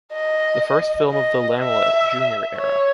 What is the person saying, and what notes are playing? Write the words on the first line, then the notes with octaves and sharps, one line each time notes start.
The first film of the Laemmle Jr. era.
D#5
D#5
E5
C#5